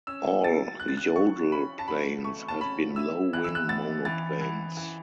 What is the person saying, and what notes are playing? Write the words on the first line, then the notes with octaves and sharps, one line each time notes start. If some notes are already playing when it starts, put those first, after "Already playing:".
All Jodel planes have been low-wing monoplanes.
C#4 E6
F#3 A6
C#4 F#6
A6
F#6
F#3 C#6
C#4 B5
A5
F#3 B5
A3 C#6
A5
C#4 B5
E4 E6
E3 F#6
E6
F#6
B3 A6
E3 A6
E3
E3